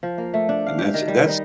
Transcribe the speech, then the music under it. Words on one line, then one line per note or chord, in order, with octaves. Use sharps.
And that's that's
F3
A#3
A3
D4
F5
G4
D#3
G3
D#4